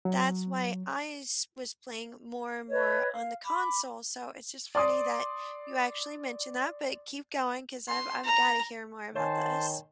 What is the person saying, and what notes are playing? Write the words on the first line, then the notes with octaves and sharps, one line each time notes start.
that's why I s was playing more and more on the console, so it's just funny that you actually mentioned that, but keep going 'cause I've I've gotta hear more about this.
F#3
B4 C#5 D#5
F5
B5 D6
D5 C6 D6 D#6
C6
A#5
D#3 C5 C#5 G#5 A5 C6